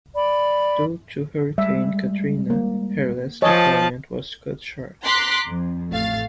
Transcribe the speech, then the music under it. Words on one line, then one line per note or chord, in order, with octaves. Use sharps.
Due to Hurricane Katrina, her last deployment was cut short.
D5 B5
G3 G#3 E5
A#3
F3 C#5 D#5 G#5 A5
A#5 C6 D6 F#6 B6
F2
A1 A3 F5 A6